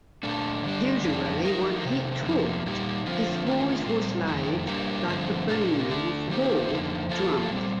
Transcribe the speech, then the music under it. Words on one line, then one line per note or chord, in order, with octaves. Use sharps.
Usually when he talked, his voice was loud like the booming of war drums.
A#2 A3 D4 A4
D3 G3 D4
F2 D#3 G3 A#3 D4
F3 A3 D#4 A#4
C3 D#3 A3
F2 C3 F3 A#3
A#2 G3 A#3 D#4 G4
D3 F3 C4 F4
D#3 A3 D4 F4
A#2 G3 C4
F2 D#3 A3
G3 A#3 D4 G4 A#4
G2 D3 F3 A3 C4
A#2 A3 D4 F4 A#4
D3 A3 D4
D#3 A#3 D#4 G4 C5
F2 D3 F3 A#3 D#4
F3 A#3 F4 A4
A#2 G3 C4